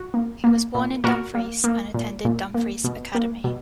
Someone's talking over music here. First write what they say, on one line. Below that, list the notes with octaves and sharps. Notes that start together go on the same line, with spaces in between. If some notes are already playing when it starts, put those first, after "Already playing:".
He was born in Dumfries and attended Dumfries Academy.
Already playing: F#4
A#3
A#3
A#2
A#2 F#4 A#4
A#3
A#3
A#2
A#2
A#3
B2
A#3
B2